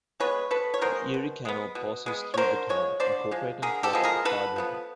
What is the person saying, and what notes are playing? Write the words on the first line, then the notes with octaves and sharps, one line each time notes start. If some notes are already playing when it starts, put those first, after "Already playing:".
The Erie Canal passes through the town, incorporating part of the Clyde River.
G#3 B3 B4 C#5
B2 A4 B4
C#5
G#3 B3 A#4 C5
B2
G#3 B3
B2
G#3 B3
C#5
D3 A#4 C5
F3 G#3 C#5
D3 C5 D5
F3 G#3
D3 G#4 A#4
G4 A4
F3 G#3 B3
G#4 A#4
D3 A4 B4
F3 G#3 B3